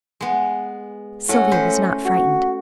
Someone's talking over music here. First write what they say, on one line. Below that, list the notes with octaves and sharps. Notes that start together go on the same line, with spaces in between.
Sylvia was not frightened.
G#3 B3
A2 A3 C#4 F#4
C#4 B4 C5
F#4